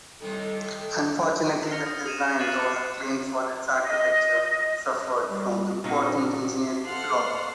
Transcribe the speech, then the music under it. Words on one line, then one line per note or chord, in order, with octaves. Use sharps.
Unfortunately, the design, though acclaimed for its architecture, suffered from important engineering flaws.
A2 C3 D#3 G3 A4
D4
F6 A#6 C#7 F7
D#6
D#6 D#7 E7
F#6 A6 C7 D#7 E7 F#7
D6 C#7
D#5
G3
A#2 F#3 C4 D4 D#4
A4 C5 F5 F#5 C6 F6